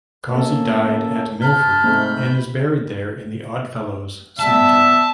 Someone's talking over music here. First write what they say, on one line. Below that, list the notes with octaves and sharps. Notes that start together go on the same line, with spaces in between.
Causey died at Milford and is buried there in the Odd Fellows Cemetery.
A#3 C#4 A4
A5 B5 F6 G6
G#2 C3 A3
G3 B3 E5 A5